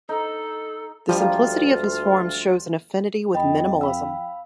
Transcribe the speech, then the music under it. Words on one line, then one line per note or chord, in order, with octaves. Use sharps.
The simplicity of his forms shows an affinity with minimalism.
D#4 A4
D2 F3 G3 A#3 F4 G4 D#5
F2 D#5 G5 B5
F5 B5 E6